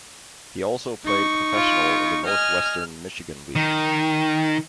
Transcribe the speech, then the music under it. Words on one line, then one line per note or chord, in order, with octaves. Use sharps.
He also played professional in the Northwestern Michigan League.
D#4 C#6
F4
D#5 G#5 F6
D#3